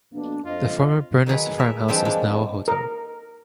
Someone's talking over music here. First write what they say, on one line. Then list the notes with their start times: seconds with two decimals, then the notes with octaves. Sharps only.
The former Byrness farmhouse is now a hotel.
0.13 F2 B2 A#3 D4
0.45 F2 F4 D#5
1.26 D#3 F#3 G#4 B4
1.58 G#4 A#4 E5
1.88 E3 F3 G3 G#3 C4 D4
2.05 G#3 A#3 D4
2.68 A#4